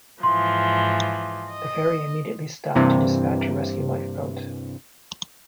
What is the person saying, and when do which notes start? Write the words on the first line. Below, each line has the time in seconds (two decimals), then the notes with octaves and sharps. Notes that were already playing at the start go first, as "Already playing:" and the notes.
The ferry immediately stopped to dispatch a rescue lifeboat.
0.23 G#2 E3 F3 C6
1.52 D#5
2.75 G2 C3 E3 A#3